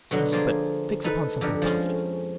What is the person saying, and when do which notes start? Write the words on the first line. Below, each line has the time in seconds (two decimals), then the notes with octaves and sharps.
"Yes; but fix upon something positive."
0.11 B2 D3 F#3
0.32 F3 A#3 F4 G#4
1.04 D#4 A4 B4
1.41 F2 D3 G4 A#4
1.62 F3 G#3 C#4